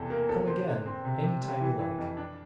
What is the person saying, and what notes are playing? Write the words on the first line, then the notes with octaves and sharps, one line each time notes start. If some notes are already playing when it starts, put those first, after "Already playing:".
"Come again any time you like."
Already playing: E2 C3 A4
A#3
E2 A4
D3 C5
D3
C4
C3
C3
G3
E3
E3
F2
D4